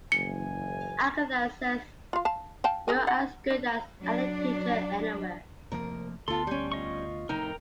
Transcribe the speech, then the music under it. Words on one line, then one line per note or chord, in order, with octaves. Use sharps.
Agatha says you’re as good as any teacher anywhere.
F#1 E3 G#5 C#7
F4 F5
F5 A5
F5 G5 A5
G#4 A#4 G#5
F#5
D4
F#3 D4
F1 F3 A#3 A#4
D2 B3 F4 A4 C6
G3 C#4
F4 D#5 C#6
F1 A2 D#4 A#4 G5 A#5